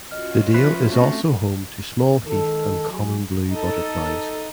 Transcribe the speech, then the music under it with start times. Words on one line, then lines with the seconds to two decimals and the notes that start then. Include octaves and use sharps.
The dale is also home to small heath and common blue butterflies.
0.11 C#4 F4 F#4 D#5 F6
0.54 F3 B4 C5 E5
0.92 A3 C4 C#6 A#6
2.27 D#3 G#3 A4
2.90 F#3 G#4
3.51 D#4 A4